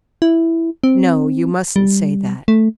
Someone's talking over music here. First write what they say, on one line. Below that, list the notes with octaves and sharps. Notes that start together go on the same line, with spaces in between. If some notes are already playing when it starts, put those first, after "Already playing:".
No; you mustn't say that.
E4
C4
G3
A3